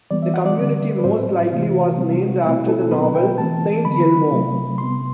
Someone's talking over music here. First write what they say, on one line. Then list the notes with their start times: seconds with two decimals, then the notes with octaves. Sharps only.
The community most likely was named after the novel "Saint Elmo".
0.11 E3 G3 B3 D5
0.22 E5
0.34 F#5
0.46 D5
0.57 D3 G3 C4
0.98 B4
1.04 A2 F#3 C4 C5
1.51 C3 E3 A3
1.98 C3 G3 C4
2.21 F#4
2.44 B2 A3 C4 E4
2.68 A4
2.91 B2 F#3 B3 B4
3.15 G5
3.38 E3 A3 C4 A5
3.85 D3 F#3 B3 B5
4.32 C3 F#3 A3 C4
4.78 C3 G3 B3 C6